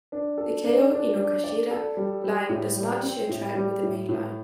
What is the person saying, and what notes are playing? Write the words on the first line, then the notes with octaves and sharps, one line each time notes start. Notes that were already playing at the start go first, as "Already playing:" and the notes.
The Keio Inokashira Line does not share track with the Main Line.
D4
A4
D4
D4
D4
D5
A4
G3
G3
A2
G3
C4
A2
G3
A2
A2